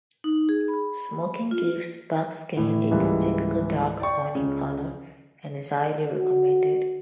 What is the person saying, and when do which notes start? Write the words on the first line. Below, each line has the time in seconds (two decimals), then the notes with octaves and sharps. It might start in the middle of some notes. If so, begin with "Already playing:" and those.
Smoking gives buckskin its typical dark honey color, and is highly recommended.
0.24 D#4
0.49 G#4
0.68 B5
1.51 F4
2.56 A2 E3 E4
2.91 C#2 G#2 E3 G3 G#3 A#3
4.00 D5 G5 C#6
4.35 C#2 C#3
6.10 F#4